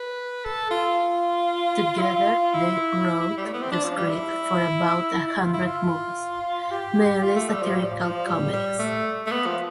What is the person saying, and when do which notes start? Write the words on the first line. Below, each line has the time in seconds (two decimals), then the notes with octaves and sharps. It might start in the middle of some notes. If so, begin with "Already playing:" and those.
Together, they wrote the script for about a hundred movies, mainly satirical comedies.
Already playing: B4
0.45 A4
0.71 F4
1.97 E4
2.01 F4
2.53 E4
3.37 G3
3.45 A3
3.53 B3
3.62 C4
3.71 D4
3.84 F3
3.97 G3
4.10 E4
5.14 E4
5.27 E4
5.40 F4
5.54 E4
5.66 F4
6.71 G4
7.23 F4
7.36 A3
7.49 G3
7.62 F3
7.75 G3
7.84 F3
8.02 F3
8.27 G3
8.53 G3
8.79 A3
9.27 A3
9.31 B3
9.46 F3